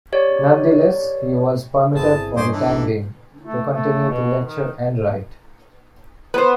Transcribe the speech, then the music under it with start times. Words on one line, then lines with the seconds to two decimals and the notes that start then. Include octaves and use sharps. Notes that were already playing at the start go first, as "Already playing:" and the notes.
Nonetheless, he was permitted, for the time being, to continue to lecture and write.
0.12 G4 C#5 D5
1.95 G1 C4 E4 G#4 A5
2.37 G2 C5 C#5 D#5 G#5 C6 D6
2.52 E3 D4
2.67 A1 A3 D#4 G4
3.45 A3
3.72 A3
4.10 B2
4.44 D#3
6.34 B3 B4 C5